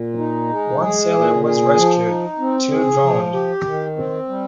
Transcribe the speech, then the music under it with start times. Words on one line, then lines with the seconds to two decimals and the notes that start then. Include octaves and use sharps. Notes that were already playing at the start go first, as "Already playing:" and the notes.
One sailor was rescued; two drowned.
Already playing: A#2
0.18 D#4
0.49 G#3
0.82 G#4
1.14 A#2
1.45 G#4
1.76 F3
2.07 D#4
2.39 C4
2.71 G#4
3.03 F3
3.33 G4
3.65 D#3
3.96 C4
4.29 G3